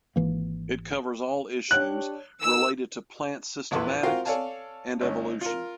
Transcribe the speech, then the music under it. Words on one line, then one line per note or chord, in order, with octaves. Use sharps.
It covers all issues related to plant systematics and evolution.
G#1 E3 A#3
D4 G4 C#5 F#6
D#3 A#4 E6
A#1 E2 A4 B4 C6
F4 F#4 A#4 C5 F5 G5
A4 C#5 D5 F5 G#5 A5
G#1 C#4
F4 A#4